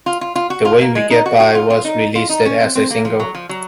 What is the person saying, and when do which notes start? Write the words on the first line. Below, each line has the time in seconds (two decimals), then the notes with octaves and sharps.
"The Way We Get By" was released as a single.
0.06 F4
0.21 F4
0.36 F4
0.50 F#4
0.65 F4
0.81 A#3
0.95 G#3
1.10 D#4
1.26 F#4
1.40 F#4
1.55 F4
1.70 F4
1.85 D#4
2.15 F4
2.30 D#4
2.45 C#4
2.61 C4
2.75 C4
2.90 A#3
3.05 F3
3.20 F#3
3.35 F3
3.49 F#3